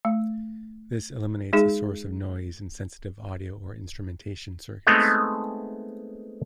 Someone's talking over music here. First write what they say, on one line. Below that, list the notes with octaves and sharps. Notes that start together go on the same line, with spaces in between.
This eliminates a source of noise in sensitive audio or instrumentation circuits.
A3
G#3 D#4 G#4
G#3 A3 B3 C4 D#4